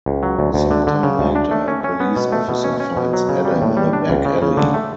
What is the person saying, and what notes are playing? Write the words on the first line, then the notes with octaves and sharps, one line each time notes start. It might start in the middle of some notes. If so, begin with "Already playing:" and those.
Some time later, a police officer finds Adam in a back alley.
C#2
F#3
D2
D2
D3
D3
C#3
D2
D4
A3
C#4
C#4
B3
B2
A3
B2
C#4
C#4
B2
F#3
C#3
G3
A2
G3
D4
C#2
C#3
C#3
D3
A3